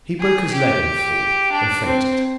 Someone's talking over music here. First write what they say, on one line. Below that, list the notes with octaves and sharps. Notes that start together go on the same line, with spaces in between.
He broke his leg in the fall, and fainted.
G#4
G4
D4
C4